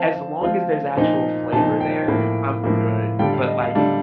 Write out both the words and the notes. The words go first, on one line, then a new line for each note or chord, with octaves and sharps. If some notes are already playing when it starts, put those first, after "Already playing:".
as long as there's actual flavor there, I'm good. But like,
Already playing: F3 C4 F4 A5
F3 C4 F4
A#2 F3 C4 D#4
A#2 F3 C4 D#4 A5
G5
A2 F3 A#3
A2 F3 A#3
D3 G3 D4 F4 G5
F5
D#5
F5
D3 G3 D4 F4